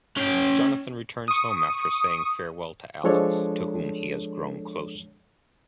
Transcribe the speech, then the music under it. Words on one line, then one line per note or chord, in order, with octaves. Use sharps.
Jonathan returns home after saying farewell to Alex, to whom he has grown close.
C#4 G5
C#6 D#6
F3 G#3 D4 A4 C#5